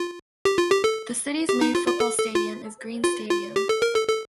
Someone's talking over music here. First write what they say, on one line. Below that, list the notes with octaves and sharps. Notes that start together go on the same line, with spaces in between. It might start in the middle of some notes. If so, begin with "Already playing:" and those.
The city's main football stadium is Green Stadium.
Already playing: F4
G4
F4
G4
A4
G4
D#4
F4
F4
A4
A4
F4
F4
F4
G4
A4
A#4
A4
A4